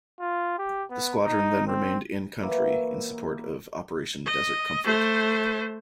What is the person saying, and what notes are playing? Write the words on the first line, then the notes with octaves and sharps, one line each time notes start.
The squadron then remained in-country, in support of Operation Desert Comfort.
F4
G4
B3
D#4
C4
E3 F#3 A#3 E4
D#5
A3 C5